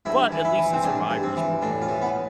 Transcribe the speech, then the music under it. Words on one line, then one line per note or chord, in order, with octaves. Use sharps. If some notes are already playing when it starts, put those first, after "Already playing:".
but at least the survivors will be heard.
G2 E4
E3
E4
E3
C4
G2 D4
G2
C4
E3
A2 D4
F4
E3
B3